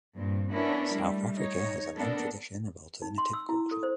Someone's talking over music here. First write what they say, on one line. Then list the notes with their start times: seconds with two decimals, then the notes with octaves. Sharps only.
South Africa has a long tradition of alternative culture.
0.15 G2 A#2 C4
0.51 B3 C#4 D4 E4 A#4
0.94 G3 A3
1.36 D#4 C#5
1.96 A#3 B3 D4 A4 A#4
3.02 D#4
3.18 C6
3.33 E6
3.49 E4
3.71 A4
3.83 C5